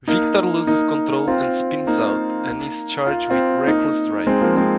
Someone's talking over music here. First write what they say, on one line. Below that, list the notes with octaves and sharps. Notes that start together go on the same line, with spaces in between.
Victor loses control and spins out and is charged with reckless driving.
A#3 D#4
A#3 D#4
C4 F4
A#3 D#4
F4
C4 F4
A#3 D#4
G#3 C4
F3 A#3
G#3 C4